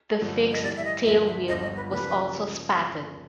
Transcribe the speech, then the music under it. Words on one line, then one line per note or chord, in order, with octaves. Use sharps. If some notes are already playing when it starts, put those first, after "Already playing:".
The fixed tailwheel was also spatted.
G2 D3 F3 A3
D#5
A2 E3 G3 D5
E5
D#5
G2 D3 F3 A#3 E5
E5
G1 G2 D3 F3 D#5
D#5
B4
C#3 F3 A#3 B4